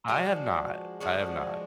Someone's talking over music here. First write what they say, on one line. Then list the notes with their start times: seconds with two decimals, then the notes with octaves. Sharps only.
I have not. I have not.
0.08 F3 G#3 D4 F#4
1.00 F3 G#3 D4 F#4